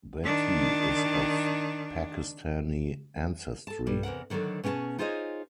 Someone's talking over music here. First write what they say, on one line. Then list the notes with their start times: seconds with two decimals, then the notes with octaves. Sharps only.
Bhatti is of Pakistani ancestry.
0.24 D#3 D4
3.67 A4 A5
3.86 G2 G3
4.03 E2 C3 A#4 F#5
4.30 D3 D#3 F#3 D4 A4
4.63 B2 C#4 G#4 G5 A5
4.98 D#4 F4 G#4 C5 C#5 D#5